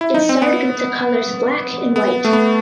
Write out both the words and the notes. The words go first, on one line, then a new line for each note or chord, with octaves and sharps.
It started with the colors black and white.
E4
D#4
C4
B3
B3
A3
B3